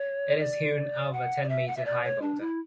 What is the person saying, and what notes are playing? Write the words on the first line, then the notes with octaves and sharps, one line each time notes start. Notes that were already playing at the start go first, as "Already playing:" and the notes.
It is hewn out of a ten meter high boulder.
Already playing: C#5
D5
F#5
D5
E5
F#5
E5
D5
C#5
D4
E4